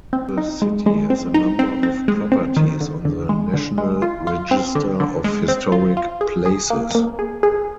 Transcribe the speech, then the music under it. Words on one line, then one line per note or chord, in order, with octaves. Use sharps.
The city has a number of properties on the National Register of Historic Places.
C4
D#4
G#3
G#3
C4
D#4
C4
C4
G#3
C4
D#3
D3
D3
G#3
D3
G#3
F4
F4
C4
D3
D3
G#3
C4
F4
F4
G#4
G#4
A#3
A#3
G#4
G#4